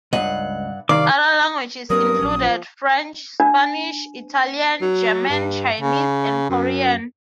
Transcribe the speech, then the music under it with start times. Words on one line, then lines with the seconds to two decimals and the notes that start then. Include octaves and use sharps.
Other languages included French, Spanish, Italian, German, Chinese and Korean.
0.13 C#2 G2 D#5 F#5
0.89 C2 D#3 D5 F5 D6
1.90 G2 F#3 A#3 C4 A#4 D#6
2.19 A#1 F#3 C#4
2.42 F3
3.40 D4
4.81 F#3
5.30 G2
5.80 C#3
6.50 F#2